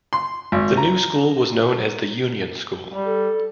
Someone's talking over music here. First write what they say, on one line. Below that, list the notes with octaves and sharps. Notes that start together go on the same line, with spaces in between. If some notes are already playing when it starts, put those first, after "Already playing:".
The new school was known as the Union School.
C6
G#1
A#5
G3
A4